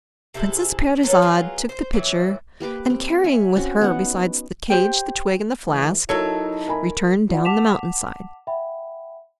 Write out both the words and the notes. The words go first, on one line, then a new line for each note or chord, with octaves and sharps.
Princess Parizade took the pitcher, and, carrying with her besides the cage the twig and the flask, returned down the mountain side.
C3 E4 G#4 A4
F#3 C#4 A4 B4
F#3 B3 F4 G#4
C5
A#2 E3 F#3
A#3 G4 B4 D6
C4
C#5 E5 G#5
C4 C#4 F#4
B3 D#4 F#5
G4 C5 G5
E3 G#3
F#3 D#4 E4 F#4 A4 A#4 C#5
A#4 G#5 B5
F4 D5 F#5
F#5 A5 D6 B6 E7 F7
E5 F#5 G5 B5